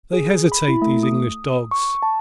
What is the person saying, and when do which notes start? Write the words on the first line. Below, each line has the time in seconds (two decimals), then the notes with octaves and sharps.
They hesitate, these English dogs!
0.13 G#4
0.52 B5
0.68 E4
0.82 A3
1.03 D#6
1.71 C#6
2.03 A5